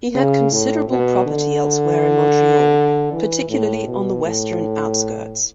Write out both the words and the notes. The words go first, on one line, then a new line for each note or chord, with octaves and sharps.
He had considerable property elsewhere in Montreal, particularly on the western outskirts.
C#3
A2
B2
D3
E3
A2
B2
A2